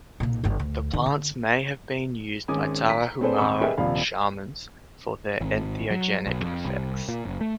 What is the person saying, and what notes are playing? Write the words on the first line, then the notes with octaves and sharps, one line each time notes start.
The plants may have been used by Tarahumara shamans for their entheogenic effects.
B1 A#2
G1 G3
D2
D3
D3
G#1 G#3 C#4 G#5 D6 D#6
A#5 B6
C4 D4 G#4 A4 B4 C5
D#1 C4 B5 C#6 E6
G4 G#4 A#4 B4 D#5 E5
D#1 C3 F3 D4 F5 B5
G#1
F#3
B1
F2
C2
A#2
F#1
A3